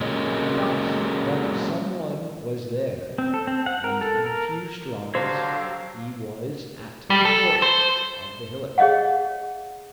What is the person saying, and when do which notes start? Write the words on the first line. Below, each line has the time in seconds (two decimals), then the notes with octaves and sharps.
He thought that some one was there, and in a few strides he was at the foot of the hillock.
0.01 F#3 G#3 A#3 C#4 G#4 D#5
3.18 C4
3.34 A4
3.47 C4
3.66 F#5
3.84 A#4
4.01 A4
4.26 A#4
5.15 D3 F#3 D4 G4 C5 F5
7.10 G3
7.25 A4
7.62 C5
8.78 G#4 C#5 D#5 F5 F#5